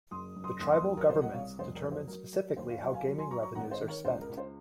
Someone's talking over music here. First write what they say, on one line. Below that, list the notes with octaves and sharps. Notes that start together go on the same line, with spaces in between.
The tribal governments determine specifically how gaming revenues are spent.
F#1 C6 D#6
F#1
C6 D#6
D#2 C6 D#6
C6 D#6
F#3
A#4 C#5
C2 C5
D#5 F#5
C2 C#5 F5
F1 C5
A#4
F#3
C5
F#3 A#4
F#3 A#4 C#5
D#2 C5
C#5 F5
F#3 D#5 F#5
F5 G#5
F#3
G#5 C6
F#3 A#5 C#6
A#5 C#6
G#1 F#5 A#5
C5 D#5
D#3
A#4 C#5
C#2 C5
A#4
C#2
C5